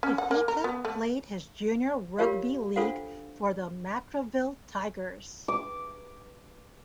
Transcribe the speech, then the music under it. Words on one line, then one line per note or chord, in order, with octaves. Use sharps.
Fifita played his junior rugby league for the Matraville Tigers.
C#4
F#5
A#3
A#4
B3
A3
F4 G4 A#4 C#5 F5
D4 F4 A4 C5 F5 F#5
D6